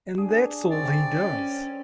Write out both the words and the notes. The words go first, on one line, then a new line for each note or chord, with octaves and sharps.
And that's all he does!
D4 G#4
F#2 C4 A4 D5
C#4